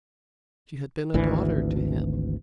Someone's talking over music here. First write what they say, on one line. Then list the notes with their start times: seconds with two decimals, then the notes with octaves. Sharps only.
She had been a daughter to him.
1.14 G#1 D2 E3